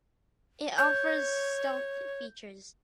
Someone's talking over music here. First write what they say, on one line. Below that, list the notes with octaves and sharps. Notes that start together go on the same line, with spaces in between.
It offers stealth features.
C#5 G6